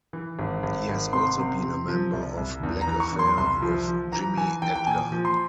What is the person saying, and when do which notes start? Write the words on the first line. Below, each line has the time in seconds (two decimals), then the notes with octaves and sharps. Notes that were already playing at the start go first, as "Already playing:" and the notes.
He has also been a member of Black Affair with Jimmy Edgar.
0.13 E3
0.39 G#1
0.63 G#1
0.89 G#1
1.13 C3 C6
1.38 C3
1.63 C3
1.88 F3
2.13 C2
2.37 C2
2.63 E2
2.81 A#5
2.87 E3
3.00 C#6
3.12 E2
3.19 C6
3.37 C2 C6
3.62 F3
3.88 F3
4.12 E3 A#5
4.37 E3 G#5
4.62 E3 G5
4.75 G5
4.87 A#2 G#5
5.12 F3
5.25 C6